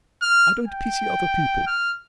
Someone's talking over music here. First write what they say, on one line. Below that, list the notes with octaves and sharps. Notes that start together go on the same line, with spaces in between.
I don't pity other people.
F6
G5
F6